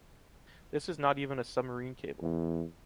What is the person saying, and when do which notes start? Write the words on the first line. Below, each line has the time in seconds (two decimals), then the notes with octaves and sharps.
This is not even a submarine cable.
2.22 E2